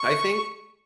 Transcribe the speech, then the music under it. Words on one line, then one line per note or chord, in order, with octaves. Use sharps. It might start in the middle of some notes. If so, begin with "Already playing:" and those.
I think
Already playing: C#6